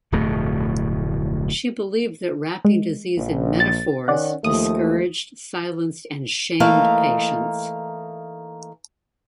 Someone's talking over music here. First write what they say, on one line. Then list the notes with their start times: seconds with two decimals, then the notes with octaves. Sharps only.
She believed that wrapping disease in metaphors discouraged, silenced, and shamed patients.
0.12 D1 F2 B2 A3
2.65 G#3
3.18 A#1
3.60 A6
4.08 D#3 C#4 D5 F#5
4.45 D#2 F3 A3 D#6
6.60 E3 A3 A#3 D#4 F5